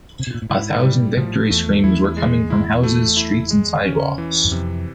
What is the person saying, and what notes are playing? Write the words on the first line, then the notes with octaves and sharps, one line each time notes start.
A thousand victory screams were coming from houses, streets and sidewalks.
C3
B2
A#2
A2
G#2 E4
G3
A2 F3
E2 A3
E2 E4
G#3
E4
A3
E4
G#3
C#4
E3
F#2
F2 C3